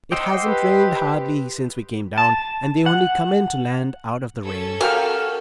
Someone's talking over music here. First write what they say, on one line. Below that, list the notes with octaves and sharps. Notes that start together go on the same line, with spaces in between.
"It hasn't rained hardly since we came down, and they only come in to land out of the rain."
C5 D#5 F#5 G5 D6 E6
G4 B4
A5
F#5
C#4 A4 E6
F#4 G4 A#4 F5 G#5 F6